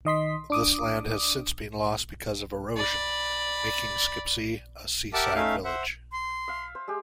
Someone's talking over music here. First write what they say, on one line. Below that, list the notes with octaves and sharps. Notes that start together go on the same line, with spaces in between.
This land has since been lost because of erosion, making Skipsea a seaside Village.
D#3 D#5 C6 B6
D4 D6 D#6
D5 B5
G4 A#4 E5 F#5 A5 D6
A3 C#4 D#4 E5 F5
C5 E5 F#5
C6
E5 F5
C5
G#3 G4